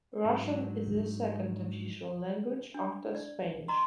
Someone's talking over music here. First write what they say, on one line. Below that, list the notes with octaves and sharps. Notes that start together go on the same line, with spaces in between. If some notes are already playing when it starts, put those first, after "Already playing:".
Russian is the second official language after Spanish.
G#2 F#3 D4 D#4
D4
D5
D#5 A#5 C6